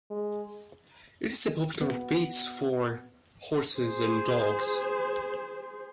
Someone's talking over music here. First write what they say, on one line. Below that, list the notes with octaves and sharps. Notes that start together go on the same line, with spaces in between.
It is a popular beach for horses and dogs.
G#3
B3
G#4 C5